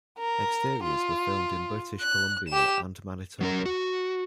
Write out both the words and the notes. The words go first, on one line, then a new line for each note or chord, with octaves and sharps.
Exteriors were filmed in British Columbia and Manitoba.
A#4
F4
F#6
G4 E7
F#3 C#4 A#4
F#4